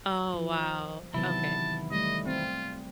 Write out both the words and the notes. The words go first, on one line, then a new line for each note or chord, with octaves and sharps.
Oh, wow. Okay.
F3
C3 D#3 E3 F#3 B3 E4 A5
G3 A3 D#5
C4 F4